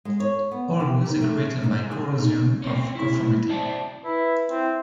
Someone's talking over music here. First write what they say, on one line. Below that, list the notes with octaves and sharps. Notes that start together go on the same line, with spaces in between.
All music written by Corrosion of Conformity.
G#3
C#5
B3
G4
D#3
A3
D#4
G#4
D#4
C4 C#4
E4
C4 C5 D5 E5 A5
E4 B4
C4 E4